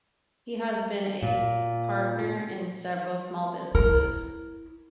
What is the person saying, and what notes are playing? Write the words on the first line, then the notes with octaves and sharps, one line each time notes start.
He has been a partner in several small businesses.
A#2
E4 A#4